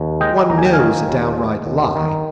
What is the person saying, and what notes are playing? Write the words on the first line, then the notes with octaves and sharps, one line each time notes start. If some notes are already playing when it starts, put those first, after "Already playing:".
One knows a downright lie.
Already playing: D#2
G#3 D#5 G5
D#2 A#5
G#5
G5
F5 G#5
D#3
D#2
G#3
D#2
D#3